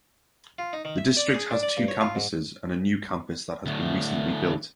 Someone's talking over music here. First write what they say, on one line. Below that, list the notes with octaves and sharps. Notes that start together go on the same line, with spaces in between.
The district has two campuses and a new campus that has been recently built.
F4
D#4
D#3
E5
D5
G#4
D4
D5
G2
C#5
F4
G#2
D2 A2